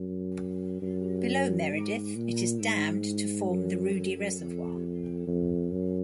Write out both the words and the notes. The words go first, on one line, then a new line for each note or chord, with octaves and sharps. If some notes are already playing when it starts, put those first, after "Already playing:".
Below Meredith, it is dammed to form the Ruedi Reservoir.
Already playing: F#2
F#2
G#2
A#2
G#2
F#2
F#2
F2
F2
F#2